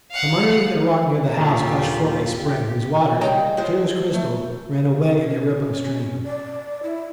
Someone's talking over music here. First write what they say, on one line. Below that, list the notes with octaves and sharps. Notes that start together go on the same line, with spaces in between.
From underneath a rock near the house gushed forth a spring, whose waters, clear as crystal, ran away in a rippling stream.
F5 F#5
D#2 A#2 D3 F#3 F4 G4
G4
C#3 G3 G#3 G5 G#5 A#5
G#3 F4 C5
A3
C#4
D5
E4